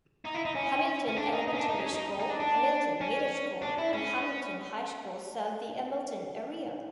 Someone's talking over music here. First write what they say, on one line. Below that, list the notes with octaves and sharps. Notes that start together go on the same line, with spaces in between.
Hamilton Elementary School, Hamilton Middle School, and Hamilton High School serve the Hamilton area.
D#4
E4
D#4
C#4
C#4
D4
D#4
D#4
C#4
D4
D#4
C#4
D#4
D#4
D4
D4
C#4
D4
E4
C#4